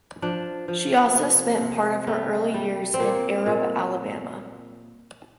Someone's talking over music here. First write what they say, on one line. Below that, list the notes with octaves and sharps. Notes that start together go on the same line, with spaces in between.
She also spent part of her early years in Arab, Alabama.
F3 D4
F3
C3
C3
G3 A3
G3
C4
A#2 A#3
A#2